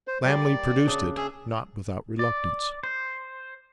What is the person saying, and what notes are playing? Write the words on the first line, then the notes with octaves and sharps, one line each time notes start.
Lammle produced it, not without reluctance.
C5
G3 A#3 D5
F#4
C#3 D4
G#4 E5
D5
C5